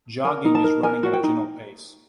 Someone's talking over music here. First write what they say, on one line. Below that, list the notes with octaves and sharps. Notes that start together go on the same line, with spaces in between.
Jogging is running at a gentle pace.
A#4 G#5
D#4
A5
A#4
A#4 G#5
F#4
G5
D#4